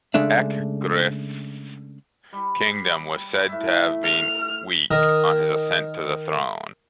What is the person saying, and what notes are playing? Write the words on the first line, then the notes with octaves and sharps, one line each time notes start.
Ecgfrith's kingdom was said to have been 'weak' on his ascent to the throne.
C#3 G#3 A3 D4 E5
G3
A2 E5
F6
D#3 A#4 D#6